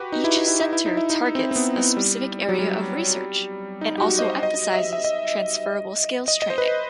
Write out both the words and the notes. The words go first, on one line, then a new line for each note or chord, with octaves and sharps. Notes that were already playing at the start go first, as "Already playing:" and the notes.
Each Centre targets a specific area of research, and also emphasises transferable skills training.
Already playing: F#4 G4 B4
D#4
E4
D#4
E4
D#4
E4
D#4
E4
D#4
C4
C4
B3
B3
G3
F#3
G3
D#4
G4
F#4
D#5
C5
D#5
E5
E5
D#5
D#5
D#5
C5
B4